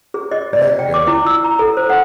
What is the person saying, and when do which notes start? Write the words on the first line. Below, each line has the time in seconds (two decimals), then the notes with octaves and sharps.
Heck yeah.
0.14 G#4
0.31 D#5
0.53 D5
0.79 G5
0.94 D6
1.08 E4
1.26 E6
1.44 A#5
1.59 A4
1.77 C5
1.89 F#5